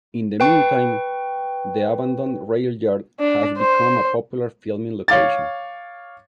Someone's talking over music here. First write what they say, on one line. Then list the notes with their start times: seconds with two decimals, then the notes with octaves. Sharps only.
In the meantime, the abandoned railyard has become a popular filming location.
0.40 B4 G5 C#6
3.20 D4
3.59 C5
5.08 C#5 F5 D6 A6